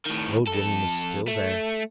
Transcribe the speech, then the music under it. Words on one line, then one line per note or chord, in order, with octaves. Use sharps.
The old woman was still there.
A2 D#3
F2 A4
A3